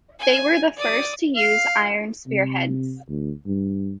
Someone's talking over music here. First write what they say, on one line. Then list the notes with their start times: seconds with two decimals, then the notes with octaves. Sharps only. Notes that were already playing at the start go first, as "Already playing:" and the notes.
They were the first to use iron spearheads.
0.19 G#5
0.77 D5 D#6
1.37 F5
2.27 C3
3.09 D2
3.46 G2